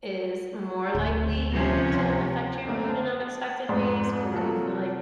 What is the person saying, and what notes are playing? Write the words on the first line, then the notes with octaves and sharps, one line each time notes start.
is more likely to affect your mood in unexpected ways? Or do you feel like
D2
C3 F3 C#4
F#2 D3 A3 A#3
A5
F2 G#2 D5 C6
C3 F3 F#3 A#3 F#4 A4